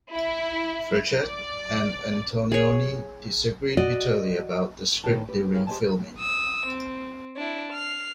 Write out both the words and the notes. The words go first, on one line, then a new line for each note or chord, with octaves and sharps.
Frechette and Antonioni disagreed bitterly about the script during filming.
E4
D5
G#4 C#5
F#4 D5 D#5
A2 D#3 B3 D5 G5 A5
G4 B4
E4 G4 G#4 A#4 C#5 F5
G4 C5 C#5 D#5 G#5 A5
D#6 E6
C4
D4 E4
F6 C7